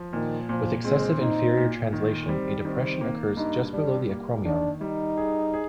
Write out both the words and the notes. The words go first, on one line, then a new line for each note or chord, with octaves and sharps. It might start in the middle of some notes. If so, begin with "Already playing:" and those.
With excessive inferior translation, a depression occurs just below the acromion.
Already playing: F3
A#2 D#3
A#2 F3
G#3 C4
A#2 D#4
A#2
D#3
G3 C4
D#3 C4
A#3
G2 D#4
G3 D4
A#3
D#3 D4
G3 D#4
G#4
G#4